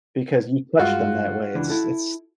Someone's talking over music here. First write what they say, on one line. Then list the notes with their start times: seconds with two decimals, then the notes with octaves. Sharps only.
because you touch them that way, it's it's
0.79 G2 G#3 F4 F#4
1.55 C#2 E3 D4
1.70 E4 A4